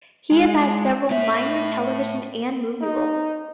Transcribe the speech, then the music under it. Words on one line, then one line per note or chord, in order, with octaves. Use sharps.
He has had several minor television and movie roles.
G#3
A2 E5
D#4